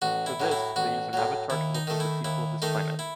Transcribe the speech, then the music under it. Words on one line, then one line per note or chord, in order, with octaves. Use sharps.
For this, they use an avatar to look like the people of this planet.
A1 F#4
E4
A2 F#3
E4
A1 F#4
A2 F#3
D#2 E4
D#4
D#3 A3
E4
D#2 E4
D#3 A3 D#4
E4